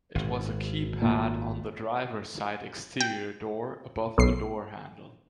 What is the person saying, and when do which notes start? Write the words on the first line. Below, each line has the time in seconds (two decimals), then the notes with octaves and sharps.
It was a keypad on the driver-side exterior door above the door handle.
0.15 G#1
1.02 A#2
3.00 G5
4.18 B1 C7